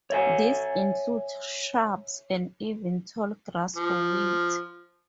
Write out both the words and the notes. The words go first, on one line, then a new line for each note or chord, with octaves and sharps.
This includes shrubs and even tall grass or weeds.
C#5 E5 G#5
F3